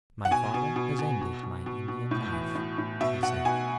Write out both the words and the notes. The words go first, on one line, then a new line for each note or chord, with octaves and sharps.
"My father has ended my Indian life," he said.
F#5
B2 G#5
B2
B2
B2
B2
B2
B2
B2
A2
E3
A2
A2
B2 E5
B2 F#5
B2 G#5